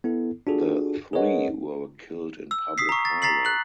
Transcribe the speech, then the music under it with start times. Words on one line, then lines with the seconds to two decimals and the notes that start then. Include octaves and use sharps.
The three were killed in public highway.
0.04 B3 E4 A4
0.47 D4 F4 F#4 G#4 A4
1.13 G#4 A#4 B4 C#5 D#5 F#5
2.51 E6
2.78 D#6 B6 C7
2.89 A#5 C#6
3.05 A6
3.22 A#5 A6 B6 C7 F#7
3.45 F#6 F#7